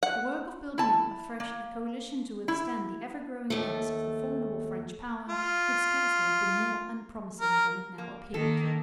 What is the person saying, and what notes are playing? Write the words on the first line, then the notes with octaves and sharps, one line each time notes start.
The work of building up afresh a coalition to withstand the ever-growing menace of the formidable French power could scarcely have been more unpromising than it now appeared.
F#5
E4 A5
A#3
E4
D#2 A3
F4
A#4
A#3
D#3 A#3 A4